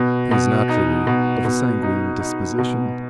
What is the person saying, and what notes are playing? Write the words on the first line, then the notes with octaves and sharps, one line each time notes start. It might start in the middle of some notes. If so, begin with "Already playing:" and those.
He is naturally of a sanguine disposition.
Already playing: B2
B2
D#4
B2
B2
D#4
D#4
B2